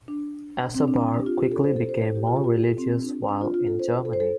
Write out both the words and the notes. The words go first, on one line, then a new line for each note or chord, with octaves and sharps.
Essabar quickly became more religious while in Germany.
D4
C4
D4
C4
D4
G4
F4
G4
A4
C5
A4
C5
A4
G4
F4
G4
F4
A4
C4
D4
D4
F4
F4
A4
C5
A4
C5
A4